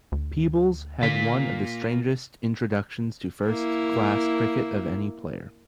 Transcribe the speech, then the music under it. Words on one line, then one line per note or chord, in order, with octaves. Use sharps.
Peebles had one of the strangest introductions to first-class cricket of any player.
D2
D3 A#3 F4 B6
A#3 E4